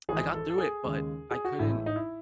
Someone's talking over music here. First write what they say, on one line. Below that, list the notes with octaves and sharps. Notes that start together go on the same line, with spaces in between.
I got through it, but I couldn't
G#1 G#2 E3 G#3 G#4
A4
A4
G#4
D#2 C#3 G#3
G#4
F#4
A1 A2 G#3 E4
D#4
E4